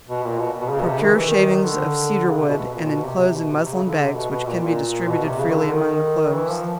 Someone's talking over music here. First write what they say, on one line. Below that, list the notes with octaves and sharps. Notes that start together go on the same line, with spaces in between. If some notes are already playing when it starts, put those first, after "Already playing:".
Procure shavings of cedar wood, and inclose in muslin bags, which can be distributed freely among the clothes.
B2
A#2
B2
B2
C#3
B2
C3
D#3
E3
D#3
D3
C#3
C3
B2
B2
A#2
B2
C3
C3
B2
B2
C3
C#3
D3
C3
B2
B2
A#2
A#2
B2
C3
C#3
D#3
D3
D#3
E3
F3